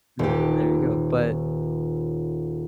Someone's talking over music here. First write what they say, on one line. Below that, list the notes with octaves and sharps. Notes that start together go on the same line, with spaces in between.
mm, there you go, but
D#1 G4